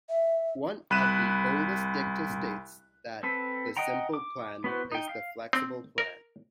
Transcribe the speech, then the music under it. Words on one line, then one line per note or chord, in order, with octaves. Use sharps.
One of the oldest dicta states that the simple plan is the flexible plan.
E5
C2 B5 F#6 D#7 E7
C4 A4 B4
D#5 F#5 G5 A#5
D6
B3 E4 F#4 B4 C5
D#4 G5
F5
C4
A#4